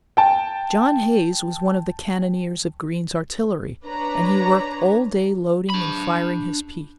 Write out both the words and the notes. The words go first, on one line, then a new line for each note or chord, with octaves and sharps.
John Hays was one of the cannoneers of Greene's artillery and he worked all day loading and firing his piece.
G5 A5
D4 B4 C#5 A#5
D4 B5